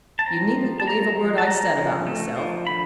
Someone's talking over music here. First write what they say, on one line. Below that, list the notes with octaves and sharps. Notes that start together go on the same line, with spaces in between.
You needn't believe a word I said about myself.
A5
C4 A#5
F3
A5
F3 A#5
F3
A5
C#4 A#5
F3
A3
F3
D3 B5